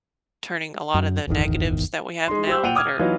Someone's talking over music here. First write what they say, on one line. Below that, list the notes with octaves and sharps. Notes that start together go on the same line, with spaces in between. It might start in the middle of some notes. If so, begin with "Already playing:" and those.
turning a lotta the negatives that we have now that are
F#2
D1 G1 E2 D#3
G#3 D#4 C6
G4 C5 E6
A#2 F#5 G5 D#7 F7
D6 D#6 F6 G#6
E3 F#3 B3 D#4 F4